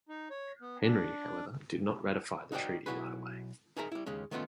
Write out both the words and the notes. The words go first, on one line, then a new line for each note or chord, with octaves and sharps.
Henry, however, did not ratify the treaty right away.
D#4
C#5
B3
D4
D#4 F#4 A#4 C5 D5 G5
B1 F2 E4 F#4 G#4 B4
D#4 G#4 A#4 E5 G5 A#5
G3 E4
D#2 C#3 G#3 C#4
D#3 A3 B3 C#4 D#4 F4